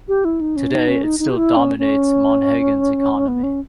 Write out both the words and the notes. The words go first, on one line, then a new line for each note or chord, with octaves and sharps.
Today, it still dominates Monhegan's economy.
G4
E4
D#4
C#4
D#4
C#4
D#4
D#4
G4
E4
C#4
C#4
B3
C#4